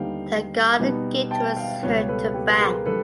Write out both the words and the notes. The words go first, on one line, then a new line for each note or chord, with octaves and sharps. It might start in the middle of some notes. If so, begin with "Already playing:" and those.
The garden gate was heard to bang.
Already playing: D#2 D3 G3 B3 D#4 F5 G5
B2 G3 B3 D#4
G5 A5
F5 G5
C#2 B2 G3 B3 B4 C#5
A4 B4
G4 A4
B4
G#4 A#4
D3 G3 A4 B4